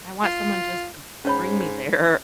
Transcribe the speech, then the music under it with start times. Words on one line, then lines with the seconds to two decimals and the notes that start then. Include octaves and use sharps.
I want someone just to bring me there
0.23 F4
1.25 G#2 C#4 C#5 B5